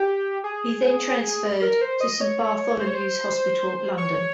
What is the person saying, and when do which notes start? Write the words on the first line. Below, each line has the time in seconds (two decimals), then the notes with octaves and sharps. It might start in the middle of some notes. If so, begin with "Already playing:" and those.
He then transferred to Saint Bartholomew's Hospital, London.
Already playing: G4
0.44 G#4
1.62 A#4
1.81 C5
2.01 D#5
2.21 C#5
2.80 C5
2.87 C#5
2.94 C5
3.98 C#5